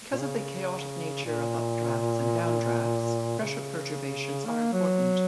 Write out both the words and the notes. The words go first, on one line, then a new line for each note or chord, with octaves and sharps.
Because of the chaotic nature of updrafts and downdrafts, pressure perturbations are important.
A#2
C#3
A#2
C#3
A#3
F#3